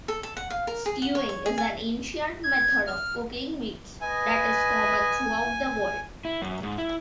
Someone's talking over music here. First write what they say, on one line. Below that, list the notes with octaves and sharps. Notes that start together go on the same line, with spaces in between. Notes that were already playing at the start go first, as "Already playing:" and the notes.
Stewing is an ancient method of cooking meats that is common throughout the world.
A4
A4
F#5
F5
A#4
G#4
F#5
C#5
C#5
G#4
G#5
G#6
F6
B4 D#5 G#5
E4
F#2
G#2
E4